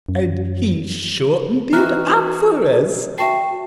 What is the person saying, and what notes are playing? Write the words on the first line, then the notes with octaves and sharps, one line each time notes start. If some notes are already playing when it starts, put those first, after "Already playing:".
And he shortened it up for us.
F#2
E3 C4 D#4 F#4 A#5 F6 F#6
F#4 E5 G5 A5 C#6 C7